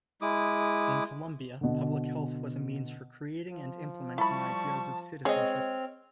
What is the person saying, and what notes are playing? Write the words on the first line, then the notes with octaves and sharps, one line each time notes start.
In Colombia, public health was a means for creating and implementing ideas of citizenship.
G#3 E4 D6 D#6
B2 D3
F3
G3 E4 A5 B5 C#6
G#3 C4 C#5 D#5 F6